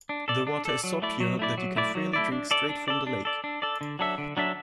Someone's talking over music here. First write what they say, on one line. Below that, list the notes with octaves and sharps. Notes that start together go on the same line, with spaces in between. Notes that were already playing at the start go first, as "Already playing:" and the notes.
The water is so pure, that you can freely drink straight from the lake.
D4
A4 D5
D4
A4 D5
F#3
A3 E4 D5
F#3
A3 E4 D5
F#3
A3 E4 D5
F#3
A3 E4 D5
D4
A4 D5
D4
A4 D5
D4
A4 D5
D4
A4 D5
D3
F#3 D4 A4 E5
D3
F#3 D4 A4 E5